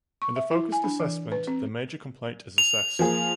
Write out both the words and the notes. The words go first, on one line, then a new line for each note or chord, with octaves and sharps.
In the focused assessment, the major complaint is assessed.
C#6
E5
E4
G#5
D4
E3
B4
C4
F7
F3 A#3 G#4